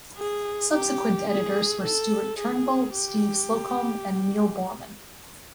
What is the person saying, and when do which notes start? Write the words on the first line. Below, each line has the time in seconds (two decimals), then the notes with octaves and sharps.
Subsequent editors were Stuart Turnbull, Steve Slocombe, and Neil Boorman.
0.18 G#4
0.73 G4
1.29 G#4
1.84 A4
2.39 G#4
2.94 G4